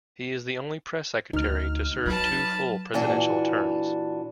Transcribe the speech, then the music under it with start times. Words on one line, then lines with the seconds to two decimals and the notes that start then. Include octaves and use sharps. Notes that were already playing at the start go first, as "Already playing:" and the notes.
He is the only press secretary to serve two full presidential terms.
1.33 D2 D#4 F6
2.06 F#3 B4 A5
2.94 A#2 E3 D4 F#4